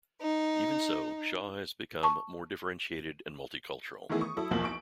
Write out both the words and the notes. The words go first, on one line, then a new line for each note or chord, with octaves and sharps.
Even so, Shaw has become more differentiated and multicultural.
D#4
A5 C#6
D#3 E3 A3 B3 E4 G#4
C#6 D#6
F#3 E4 A4
B1 E2 F3 A#3 C6 F#7
C#6 D7